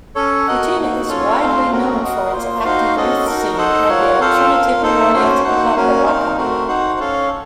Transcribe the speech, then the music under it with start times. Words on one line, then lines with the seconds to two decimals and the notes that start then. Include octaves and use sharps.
Kutina is widely known for its active youth scene and the alternative-oriented club Baraka.
0.15 C#4 A4 C#5
0.47 F#4 A#4 D#5 F#5
0.78 A#3 D#4 F#4
1.08 C#4 F4 A4 C#5
1.40 A3 C4 F4 C5 F5
1.71 A3 C#4 F#4 A#4
2.02 F#4 A#4 D#5 F#5
2.33 A#3 F4 C5
2.64 D#4 F#4 C5 F5
2.96 C#4 F#4 A4 D#5
3.26 D#4 F#4 A#4
3.57 D#4 A4 C5 D#5 F#5
3.88 F4 A#4 C#5 F#5
4.19 C4 F4 A4 C5 F5
4.51 F4 A#4 F5
4.82 A#3 D#4 A4 C5
5.13 C#4 F#4 C5
5.44 A#3 D#4 F#4 C5 F#5
5.75 A#3 C#4 F#4 A#4
6.06 C4 D#4 A#4 F5
6.37 A3 C4 F#4 A#4
6.68 D#4 F#4 C5 F#5
7.00 C#4 A4 C#5 F5